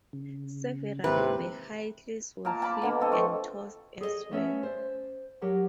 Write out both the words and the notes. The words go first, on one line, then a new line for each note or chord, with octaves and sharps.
Several vehicles were flipped and tossed as well.
C#3
G#1 D#2 C3 E3 B4
A#2 A#4 A5
A5 B5 D6
B2 D3 A#3
C4 A4 D#5
F3 A3 C#6
G#4 A4 B4 D#5
A3 B3 C#4 C#5 E5
C5 D5
F#3 G4 A#4 F#5